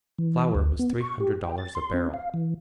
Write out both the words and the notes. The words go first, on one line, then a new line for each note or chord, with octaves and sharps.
Flour was three hundred dollars a barrel.
E3
D2
B3
C#6
G4
G5
A6
C6
C4
F5
E3